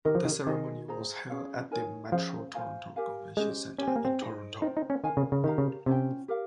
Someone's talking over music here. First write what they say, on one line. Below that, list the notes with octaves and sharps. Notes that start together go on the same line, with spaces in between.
The ceremony was held at the Metro Toronto Convention Centre in Toronto.
D#3 D#4 G4 A#4
F3
D#3
D#3 F4 G#4 D#5 G#5
G#4 C5 D#5 A#5
C#4 G#4 C#5 F5
D#4 A#4 C#5 G#5
F3 C#4 G#4 C5 F5
F4 C5 F5 G#5
G4 A#4 F5 G#5
G#3 C#4 G4 C5 D#5
C#4 G4 C#5 G#5
C4
A#3
C4
D#4 G#4 C5 D#5
D#4 F4 C5 G5
D#4
C#4
D#3 A#4 F5 G#5
C#3
C#3
D#3 G4 A#4 F5 A#5
C#3
C3 C#4 F4 C5 G5
G4 A#4 F5